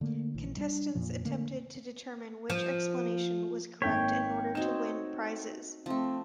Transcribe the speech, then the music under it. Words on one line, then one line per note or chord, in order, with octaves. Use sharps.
Contestants attempted to determine which explanation was correct in order to win prizes.
D3 A3 A#3
A#1 E3
G3 D4
F2 A#2 F3
D3 A3 A#3
F3
G#1 A#3 C#5 G5 B6
C4 D#4 F#4 E7
F3 A3 C4